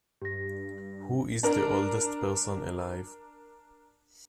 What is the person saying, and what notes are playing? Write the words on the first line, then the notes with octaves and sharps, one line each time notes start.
Who is the oldest person alive?
G2 G4 A#6
D4 A#4